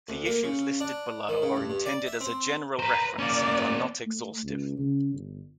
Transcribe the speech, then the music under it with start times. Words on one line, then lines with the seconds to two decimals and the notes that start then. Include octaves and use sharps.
The issues listed below are intended as a general reference and are not exhaustive.
0.09 D2
0.26 A#3
0.44 C#3
0.80 D4
1.29 D#3
1.42 C#3
1.56 G2
1.70 G2
1.86 D5
2.07 E5
2.21 C4
2.79 B4 C5 A#5
3.19 A#3 C#4 D5
4.07 A3
4.45 C#2
4.79 C#3
5.14 G1